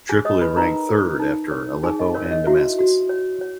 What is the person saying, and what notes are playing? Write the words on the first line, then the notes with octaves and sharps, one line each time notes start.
Tripoli ranked third after Aleppo and Damascus.
G#4 G#5
C#5 D#5 D#6
B4 B5
D#4 A#4 A#5
A#4
D#4
C#5
D#4 G#4 G#5
D#5
A#4 C#5
C#5
D#5
E4 F#4 E5
F#4
C#5
C#5